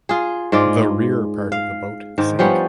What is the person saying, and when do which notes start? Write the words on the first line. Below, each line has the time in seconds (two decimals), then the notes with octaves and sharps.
The rear part of the boat sank.
0.09 F4 G#4
0.52 G#2 G#3 F4 D5
1.52 F5
2.18 G#2 D#3
2.39 F3 G3 B3 C#4